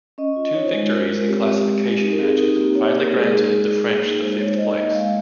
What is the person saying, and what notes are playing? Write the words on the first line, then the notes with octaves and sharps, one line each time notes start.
Two victories in classification matches finally granted the French the fifth place.
C#4 D#5
F4
D#4 C#5
C5
G#3
C5
F4 A#4
G#3
C4 G4
G#3
G#3
G#3
D#4 G4
A#4
C4 G#4
D#4 G4
A#3 G4
A#3 C#5
C5
A#3
A#4
G#3 G#4
D#4 G#4
G#3
G#3
A#3
D#4
G#3 C5
C5
G#3 C#5
D#4 D#5
A#3
G#3 F5